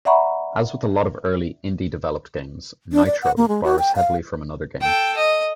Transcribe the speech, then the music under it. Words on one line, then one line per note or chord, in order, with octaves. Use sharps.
As with a lot of early, indie-developed games, "Nitro" borrows heavily from another game.
D5 E5 F#5 A#5 B5 C#6
D4
D5
F#5
A#3
G#3
F#4
G5
F5
A4 G5
D#5